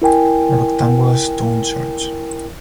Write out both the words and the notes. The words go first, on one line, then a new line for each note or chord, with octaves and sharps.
A rectangular stone church.
E4 A#4 G5 G#5